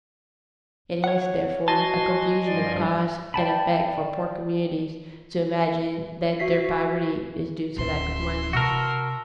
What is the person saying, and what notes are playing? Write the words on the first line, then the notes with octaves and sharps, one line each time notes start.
It is, therefore, a confusion of cause and effect for poor communities to imagine that their poverty is due to lack of money.
C#5 F#5
F#4 D#5 G#5 A5 C6
G2 F3 D5
D5 G5 A5 B5
F#4 E5 B6 C7
D1 C#4 E5 C6
C3 F#4 A#4 A5 E6 A#6